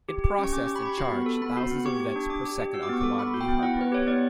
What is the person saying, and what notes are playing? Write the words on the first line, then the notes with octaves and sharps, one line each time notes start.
It processed and charge thousands of events per second on commodity hardware.
G4
G4
C#4 C#6
C#4 D6
G4
B5
G4 C#6
F#4 B5
B3
A4
B3 B5
F#4
B3
G4 C#6
G4
D4
D4 D6
G4
G4
F#4 E6
D6
B3 C#6
A4 D6
B3 B5
F#4
G5
B3
E4 F#5
B3 B4
G4 C#5
B3 D5